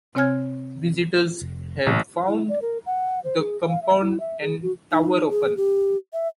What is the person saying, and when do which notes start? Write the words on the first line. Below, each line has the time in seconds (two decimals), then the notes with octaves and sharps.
Visitors have found the compound and tower open.
0.15 C3 C4 C#5 G#5 F6 G#6
1.41 F1
1.86 A1 A#2 C#3 F#3
2.28 E4
2.49 D5
2.62 A#4
2.86 F#5
3.24 C5
3.39 G#4
3.68 F5
3.82 E5
4.00 E4
4.20 E5
4.41 G#4
4.62 F#4
4.92 D#4
5.30 G#4
5.57 G4
6.13 E5